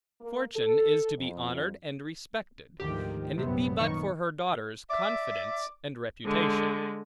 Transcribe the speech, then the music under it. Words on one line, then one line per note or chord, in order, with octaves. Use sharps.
Fortune is to be honored and respected, and it be but for her daughters, Confidence and Reputation.
A#3
A4
F2
D2 G#2 D#3 F3 G4
A#1 F#2 C3 B3
D#3 C#6
D5 E5 D6
D3 G#3